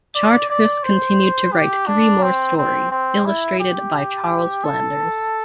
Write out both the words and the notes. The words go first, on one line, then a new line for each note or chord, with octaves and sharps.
Charteris continued to write three more stories, illustrated by Charles Flanders.
D5
D5
C5
G4
D4
C4
C4
C4
E4
G4
A4